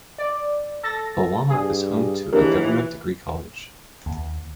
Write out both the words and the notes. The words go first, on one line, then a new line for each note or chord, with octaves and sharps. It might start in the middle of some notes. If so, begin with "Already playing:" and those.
Pulwama is home to a Government Degree College.
D5
A4 A6 A#6
G2 G#4
D#2 E3 D4 G4 A#4
D#2